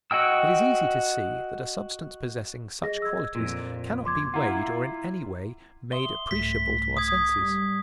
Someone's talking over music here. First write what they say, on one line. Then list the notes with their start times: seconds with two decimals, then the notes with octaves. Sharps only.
It is easy to see that a substance possessing such qualities cannot be weighed or in any way made appreciable to our senses.
0.11 F#4 D#5 G5 E6
2.83 G#4 D#5 A#6
3.02 E6 G#6
3.35 F2 A#2
4.05 C6 D6 G#6
4.34 E4 F4 F#5 A#5
5.92 E5 C6 D#6 G7
6.31 C2 G#2 A3 B6
6.97 D#6 G#6
7.42 G3